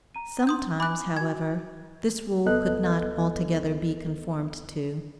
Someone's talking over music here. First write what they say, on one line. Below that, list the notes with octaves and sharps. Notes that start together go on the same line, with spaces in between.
Sometimes, however, this rule could not altogether be conformed to.
A#5 D#7
C6 D#6 G6
E4 G#5 B5 D6 F#6
F#4 G#5 G#6
C#2 B3 A4 B4 D#5 F#6